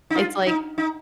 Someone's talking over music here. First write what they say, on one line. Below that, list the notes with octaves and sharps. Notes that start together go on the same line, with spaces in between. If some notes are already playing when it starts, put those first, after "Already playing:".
it's like
D#4
F4
D#4
D#4